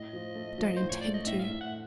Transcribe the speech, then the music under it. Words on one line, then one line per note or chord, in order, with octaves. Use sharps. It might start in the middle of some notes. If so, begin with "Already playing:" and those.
'Don't intend to.
Already playing: A2 D#5
F3
A3
F3
A2 C5
C#5
A3 D5
D#5
A2 E5
F5
E5
A2
F#5